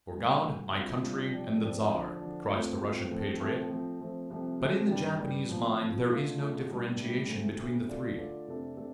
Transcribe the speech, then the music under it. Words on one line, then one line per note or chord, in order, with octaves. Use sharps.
"For God, my country, and the Czar!" cries the Russian patriot; but in the Japanese mind there is no differentiation between the three.
D2 D3 G3
D2 D3 G3
C3 G3 D4 F4
C3 G3 D4 F4
F3 C4 G4 D5
F3 C4 G4 D5
D3 F3 D4
D3 F3 D4
A2 A3 C4 F4
A2 A3 C4 F4
A2 F3 A3 C4 A4
A2 F3 A3 C4 A4
F3 A3 C4
F3 A3 C4
C2 C3 F3 A3
C2 C3 F3 A3
G2 G3 D4 G4 D5
G2 G3 D4 G4 D5
F3 C4 F4
F3 C4 F4
D3 A3 D4 F4
D3 A3 D4 F4
A2 G3 D4
A2 G3 D4
D2 C3 A3
D2 C3 A3
D3 A3 F4 A4 D5
D3 A3 F4 A4 D5
F2 C3 A3 D4 A4
C3 A3 D4 A4